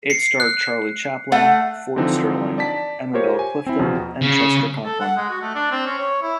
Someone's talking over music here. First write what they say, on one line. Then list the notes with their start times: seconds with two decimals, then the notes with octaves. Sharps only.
It starred Charlie Chaplin, Ford Sterling, Emma Bell Clifton, and Chester Conklin.
0.10 C7 C#7
0.40 F#6
1.32 A3 F#5
1.96 D3 E3 F3 C4 D#4
2.58 D5 A5 B6
3.13 F4 G4 A#4 C5 C#5
3.39 G#5
3.66 C4 E4
3.79 E2 B2 F3
4.22 C#3
4.85 A4
5.00 F#5
5.17 G#3
5.30 F#4
5.42 A3
5.55 D4
5.71 C4
5.86 C#4
5.99 C#5
6.22 E4